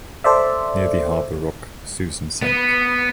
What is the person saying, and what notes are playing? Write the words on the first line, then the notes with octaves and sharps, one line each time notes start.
Near the Harbour Rock "Susan" sank.
A4 C5 D5 E5
B3